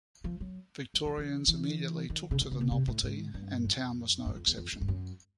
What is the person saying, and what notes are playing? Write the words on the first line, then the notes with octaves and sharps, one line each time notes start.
Victorians immediately took to the novelty, and Towne was no exception.
F3
F#3
F#3
F3
E3
E3
D#3
C#3
D3
C#3
C3
C3
A2
G#2
G2
F2
F#2
F2
E2
F2
F2
G2
F#2